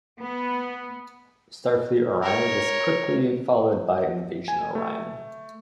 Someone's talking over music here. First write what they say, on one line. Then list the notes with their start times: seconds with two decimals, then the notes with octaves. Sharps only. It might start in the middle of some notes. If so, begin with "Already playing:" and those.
"Starfleet Orion" was quickly followed by "Invasion Orion".
0.18 B3
2.22 A#4 C#5
4.48 G#5
4.75 A3